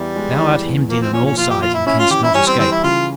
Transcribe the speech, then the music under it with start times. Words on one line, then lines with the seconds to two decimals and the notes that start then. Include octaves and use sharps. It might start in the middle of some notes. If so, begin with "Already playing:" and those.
"Thou art hemmed in on all sides, and canst not escape!"
Already playing: E2 G3 E4
0.16 G#3
0.41 E3
0.65 E2
0.89 F3 A#3
1.01 C4
1.13 A#2 C#4
1.26 C#4
1.38 F3 F4
1.50 G4
1.62 A#2 F4
1.74 E4
1.86 C#4 E4
1.99 F4
2.10 E3 G4
2.23 E4
2.34 G3 C#4
2.47 C4
2.59 E3 C4
2.71 E4
2.84 C#3 F4